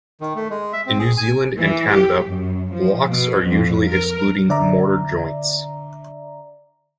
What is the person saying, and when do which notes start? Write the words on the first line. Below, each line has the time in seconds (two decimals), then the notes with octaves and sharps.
In New Zealand and Canada, blocks are usually excluding mortar joints.
0.21 D#3
0.36 A3
0.50 G#3
0.73 E5
0.86 C4
0.99 G#4
1.18 G#5
1.58 E3
1.92 G4
2.28 F#2
2.74 F3
3.12 B2
3.48 F2
3.89 A#4
4.49 D3 D5 E5 A#5